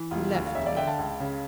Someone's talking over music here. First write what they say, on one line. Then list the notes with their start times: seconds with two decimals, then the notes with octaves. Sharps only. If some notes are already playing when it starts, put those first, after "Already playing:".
He left me.
Already playing: E3
0.11 E1 F4
0.33 D2
0.47 F5
0.54 E1 C#5 E5
0.66 D5 F5
0.76 D3 E5 G5
0.87 F5 A5
0.98 C#2
1.20 C#3